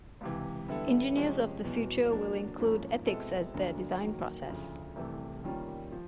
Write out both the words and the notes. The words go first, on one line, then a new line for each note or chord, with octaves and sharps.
Engineers of the future will include Ethics as their design process.
C#2 C3 E3
D3 G3 B3 E4 A4
C3 F3 G#3 C#4
E2 B2 F#3
F#3 A#3 D4
G#2 F3 A#3 C#4
B2 G#3 C4 E4 A4
D2 D3 F#3 A#3 D4
D#3 F#3 A#3 D#4
D2 C#3 F3
C2 C3 E3 A3
D#3 G3 A#3 C#4 F4
F3